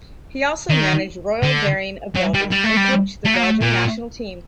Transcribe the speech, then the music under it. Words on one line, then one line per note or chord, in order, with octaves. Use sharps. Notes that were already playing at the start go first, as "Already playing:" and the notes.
He also managed Royal Daring of Belgium and coached the Belgium national team.
D#3
D3
F#3
G3
G3
A3
G3
A3
A#3
A3
A#2